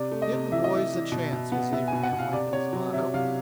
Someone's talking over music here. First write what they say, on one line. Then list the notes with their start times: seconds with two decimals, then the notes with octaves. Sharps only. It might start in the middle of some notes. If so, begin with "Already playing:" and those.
"Give the boys a chance," was Abraham Lincoln's motto.
Already playing: C3 D5
0.12 A3
0.22 D#5
0.32 C3
0.52 E3 E5
0.64 D#5
0.73 E3 E5
0.93 E3
1.12 B2
1.33 B2
1.52 B3
1.73 B3 E5
1.88 G#5
1.93 B2
2.03 F#5
2.13 B2
2.19 F5
2.33 C3 D5
2.53 C3 C#5
2.73 F#3
2.93 C3 E5
3.14 C3 F5